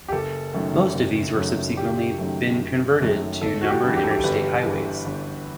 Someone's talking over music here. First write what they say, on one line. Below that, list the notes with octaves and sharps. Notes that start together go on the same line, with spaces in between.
Most of these were subsequently been converted to numbered Interstate highways.
G4
F#1 A4
F#2 D#3 F#3 A3
F#1
F#2 D#3 F#3 A3
F#1 G4
F#2 D#3 F#3 A3
F#1
F#2 D#3 F#3 A3
G1 A4
F#4
G4
G2 E3
G4
A4
G4
G1 B4
G2 E3
G1